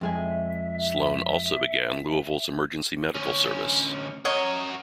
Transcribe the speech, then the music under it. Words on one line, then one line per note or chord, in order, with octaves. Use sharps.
Sloane also began Louisville's Emergency Medical Service.
F2 G#3 E5 G#5
D2 C#4
F#4 A#4 C#5 D#5